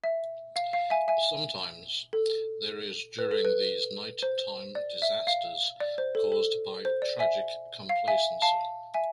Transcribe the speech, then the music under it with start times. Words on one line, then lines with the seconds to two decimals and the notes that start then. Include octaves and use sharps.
Sometimes, there is during these night-time disasters caused by tragic complacency.
0.04 E5
0.56 F5
0.73 F5
0.90 E5 G#5
1.08 E5 G#5
2.13 A4
3.19 B4
3.31 A4
3.45 B4
4.22 C5
4.75 D5
5.02 E5
5.27 F5
5.80 D5
5.98 C5
6.15 A4
6.32 A4
6.85 C5
7.02 D5
7.19 E5 G#5
7.89 F5
8.08 E5 G#5
8.42 F5 A5
8.94 E5 G#5